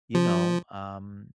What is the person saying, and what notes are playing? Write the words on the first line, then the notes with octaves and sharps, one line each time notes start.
you know, um,
F3